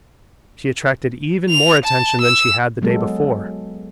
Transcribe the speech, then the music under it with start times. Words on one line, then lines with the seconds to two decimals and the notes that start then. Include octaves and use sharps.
She attracted even more attention than she had the day before.
1.49 F7
1.85 A5
2.21 E6
2.82 F#3 G#3 B3 A4